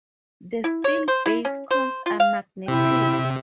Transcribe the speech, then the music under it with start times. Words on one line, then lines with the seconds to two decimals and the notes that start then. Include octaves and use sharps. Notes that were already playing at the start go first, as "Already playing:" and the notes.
The steel base coins are magnetic.
0.64 E4
0.84 C#5
1.08 C5
1.26 E4
1.45 C#4
1.71 C5
2.06 F4
2.20 F5
2.68 C3 E4 E5 G5